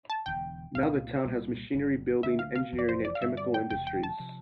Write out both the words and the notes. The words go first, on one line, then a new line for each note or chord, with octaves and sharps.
Now the town has machinery-building, engineering, and chemical industries.
A5
E1 E2 D3 G5
C2 A#2 A3 C4 F5
C2 A#2 G3 A#3
G1 G2 D3
D2 D3 A3 D4 E5
F5
F5
F1 F2 E3
D5
C5
D5
F5
G2 D3 G3 E5
D5
G5
E1 E2 C3 G5
G5
A5
C3 F3